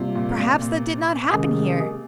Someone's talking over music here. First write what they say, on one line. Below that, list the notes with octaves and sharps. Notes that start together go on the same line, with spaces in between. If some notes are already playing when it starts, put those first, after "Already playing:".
Perhaps that did not happen here!
Already playing: C3 G3 A#3 F4
A#2
C3
A#2
A#2
C3 D#3 G#3 C#4 G#4